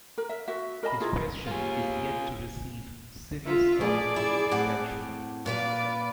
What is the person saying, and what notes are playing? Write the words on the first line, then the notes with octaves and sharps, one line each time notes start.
His question is yet to receive serious scholarly attention.
A#4
E5
F#4 E5
A#4 D#5 A5 B5
E4 F4 G#4 A#5
D#2 F4 G#4
F4 E5
A3 G#4 D5
E4
A2 C4 F#5
A#2 B4 D5 F5